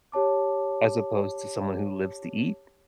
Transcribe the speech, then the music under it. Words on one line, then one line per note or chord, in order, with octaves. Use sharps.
as opposed to someone who lives to eat,
G4 C#5 A5 D6